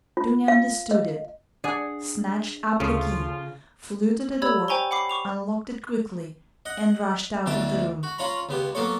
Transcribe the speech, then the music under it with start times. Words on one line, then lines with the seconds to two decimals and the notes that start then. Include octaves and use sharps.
Dounia understood it, snatched up the key, flew to the door, unlocked it quickly and rushed out of the room.
0.17 F4
0.48 F5
0.91 D#5
1.64 D4 G#4 D5 F#5 G#5
2.80 D2 C#3 F3 F4 A4
4.42 G4 C#5 D5 B5 E6 G#6
4.68 C5 G5 G#5 A#5 C#6 G7
4.91 F#5 B5 D6 C7
5.09 C#6 D6 F7
6.66 D#5 F#5
7.46 D2 B2 E3 A5 D6
8.03 F#4
8.18 C#4 F4 C#5 A#5 B5
8.49 C#2 B3 G4
8.75 F#3 A#3 B3 A4 C#5